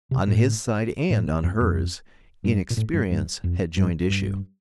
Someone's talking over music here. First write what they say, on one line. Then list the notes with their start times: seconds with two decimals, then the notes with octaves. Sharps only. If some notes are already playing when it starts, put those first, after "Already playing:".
On his side and on hers, inexperience had joined issue.
0.11 C3
0.27 A2
1.10 A2
1.44 F2
1.61 F2
2.44 G2
2.70 A#2
2.77 A2
2.94 G2
3.11 G2
3.44 F2
3.77 G2
4.10 G2